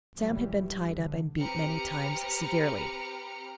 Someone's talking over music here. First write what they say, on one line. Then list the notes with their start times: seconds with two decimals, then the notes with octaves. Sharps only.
Sam had been tied up and beat many times severely.
0.16 A#1 E3 F#3 G3
0.85 D2 D3
1.38 C4 G4 B4 A#5 F6 C#7